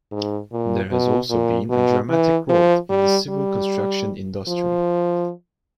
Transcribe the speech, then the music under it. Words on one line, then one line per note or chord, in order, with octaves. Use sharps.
There has also been a dramatic growth in the civil construction industry.
G#2
A#2
B2
A#2
B2
E3
F3
G3
G3
F3